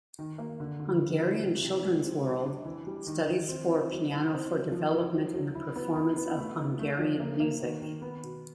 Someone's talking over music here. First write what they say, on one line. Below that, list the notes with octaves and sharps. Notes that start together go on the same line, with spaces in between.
"Hungarian Children's World", "Studies for Piano for Development in the Performance of Hungarian Music".
D#3
A#3
D3
D3
F3
F3
C3
C3
G#3
C4
F#3
D4
E3
G3
D#3
D#3
C4
C4
F#3
D#4
C4
F#3
F3
F3
F#3
F#3
E4
B3
E4
B3
A3
D#4
A3
F3
A#3
A#3
D#3
D#3
B3
B2